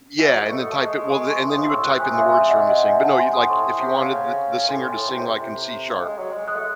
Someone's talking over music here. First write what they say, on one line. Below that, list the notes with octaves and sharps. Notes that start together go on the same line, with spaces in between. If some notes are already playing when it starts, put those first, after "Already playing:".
Yeah, and then type it well, and then you would type in the words for him to sing, but no, you'd like if you wanted the the singer to sing, like, in C sharp,
E3
F#3
G#3
A3 C#6
D#6
A3 A5 C#6
G#3
G#3 G#5 C6
A5 C#6
E3
D#3 C6 D#6
C#3
C3
A2 C#6 E6
C3 D#6 F#6
C3 G#5 C6
C#3 E5 G#5
C3 E5 G#5
E5
D#5 F#5
D#5 F#5
E5 G#5
F#5 A5
G#5 C6
C6 D#6
A2 A5 C#6
C3
C#3
C#3
A2 G#5 C6
A2
C3
A2
C3
C#3
A3
G#3
F#3
G#3
G#3 D#6 F#6
A3